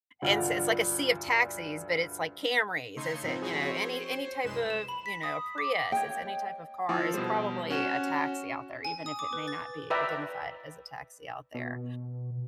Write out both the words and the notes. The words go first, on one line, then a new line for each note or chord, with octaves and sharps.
and so it's, like, a sea of taxis, but it's like Camrys, is is it, you know, any any type of, you know, Prius, it's any type of car. It's probably a taxi out there even if it may not be identified as a taxi out there.
D2 G2 F4 D5 F#5 F6
C#3 A3 D#4 C6 G#6 C#7
G#2 F3 B3 C4 D#4
F3 C4 E4 F#4 G#4 C#5
C5 C#5
C2 F#2 G#3 B4 C6 E7
E7
B5
B6
D#6
D6
C#5 D#5 G5
F3 E4
B2 G3 C5
C#4 F#4 E7
G#5
D#6
D6
B4
A6
B4 D5 E5 G5 A#5
B2